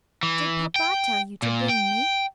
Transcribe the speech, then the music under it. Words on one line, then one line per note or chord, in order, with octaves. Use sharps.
"Did papa tell you to bring me?"
E3
G5
A#2
G5